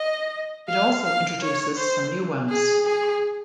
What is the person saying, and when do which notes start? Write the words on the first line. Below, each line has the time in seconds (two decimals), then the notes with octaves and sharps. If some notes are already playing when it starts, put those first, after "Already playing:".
It also introduces some new ones.
Already playing: D#5
0.68 F5
1.05 F5
1.41 C#5
1.77 C5
2.50 G#4
2.86 G#4